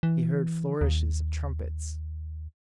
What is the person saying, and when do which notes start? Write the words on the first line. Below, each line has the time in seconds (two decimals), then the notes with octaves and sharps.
He heard flourishes of trumpets.
0.03 E3
0.81 D#2